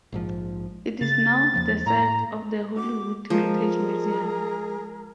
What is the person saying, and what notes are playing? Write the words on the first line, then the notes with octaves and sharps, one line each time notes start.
It is now the site of the Hollywood Heritage Museum.
A#1 G#2 F3
C#3 A6
E2 F3 A#3
A2 A#5
F#4 D6
F3 G#3 G#4 A#4